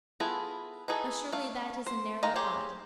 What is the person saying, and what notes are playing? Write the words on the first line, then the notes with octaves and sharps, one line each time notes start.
But surely that is a narrow thought.
B3 E4 F4 G#4 A4
E3 D#4 G#4 A4
A3 F5
C5
D#3 G#3 F5 A#5
G4 G#4 C5 C#5